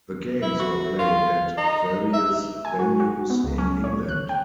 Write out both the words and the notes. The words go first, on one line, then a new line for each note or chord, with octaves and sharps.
The games were played at various venues in England.
E4
F#4
F4
D#4
E5
G#5
F#4
F#4
B3
C#2
C#4
C#5
F#6
G5